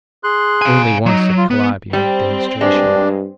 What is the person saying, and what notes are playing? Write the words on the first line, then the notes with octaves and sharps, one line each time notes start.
Only once did Calliope make demonstration.
G#4 C6 F#6
F5 G#5
F#3 D#4
F4
B3 B4
G3 C4
G2 G#3 D4